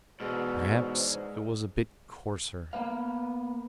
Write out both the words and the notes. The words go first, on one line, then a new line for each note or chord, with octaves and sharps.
Perhaps it was a bit coarser.
G#2 B2 E3 G#4 C5 D5 E6 F6
A#3 B3 B4 F5